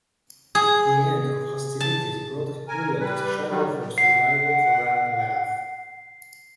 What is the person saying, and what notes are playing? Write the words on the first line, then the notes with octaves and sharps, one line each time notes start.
The end of hostilities brought a period of struggle for survival for Ranelagh.
G#4
A5
A#4 G#5
G3 B4
D#3 F#3 G3
F#5 C7